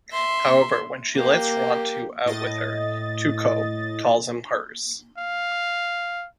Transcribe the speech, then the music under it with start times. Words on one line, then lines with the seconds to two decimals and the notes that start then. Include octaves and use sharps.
However, when she lets Rontu out with her, Tutok calls him hers.
0.12 E5 C6
1.15 A#3 G4
2.26 A2 D#5 A6
5.18 F5